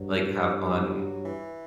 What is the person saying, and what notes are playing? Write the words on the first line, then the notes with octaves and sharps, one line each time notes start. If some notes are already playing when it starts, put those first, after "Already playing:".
Like, have fun,
Already playing: G2 F#3
E3
G3
F#3
E3